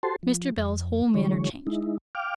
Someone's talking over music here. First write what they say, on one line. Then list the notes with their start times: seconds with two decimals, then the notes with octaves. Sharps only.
Mr. Bell's whole manner changed.
0.03 F#4 G4 A4 C5 A5 C6
0.23 F3
0.57 F2
1.14 D3 E3 F#3 G#3 C#5
1.67 G#3 D#4 E4
2.15 F5 G5 D6 F6